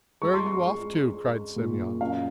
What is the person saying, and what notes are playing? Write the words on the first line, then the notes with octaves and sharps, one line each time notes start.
"Where are you off to?" cried Semyon.
G#3 C#6
C6
C#6
G#3
G#3
A#2
F#2 F5